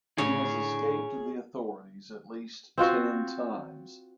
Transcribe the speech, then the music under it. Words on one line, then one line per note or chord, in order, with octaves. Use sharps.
He has escaped the authorities at least ten times.
A2 D3 G#4 C#5
C4 F4 F#4 C5